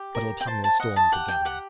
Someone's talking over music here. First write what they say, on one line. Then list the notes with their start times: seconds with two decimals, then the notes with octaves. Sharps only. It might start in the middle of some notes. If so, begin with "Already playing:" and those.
But autumnal storms were gathering.
Already playing: G4
0.15 A#4
0.41 G5
0.47 C5 A5
0.64 A5
0.80 D#5 F#5
0.96 A5
1.12 G4 F#5
1.28 G5
1.45 G4 F#5